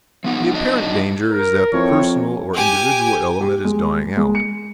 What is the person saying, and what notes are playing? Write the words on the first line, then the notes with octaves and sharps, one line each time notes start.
The apparent danger is that the personal or individual element is dying out.
F3 B3 D#4
F#3 D4 D#4 D#5
A#4
F2 C4 E4 C#5
G4 G#5
G4
G#3
G#3
C#7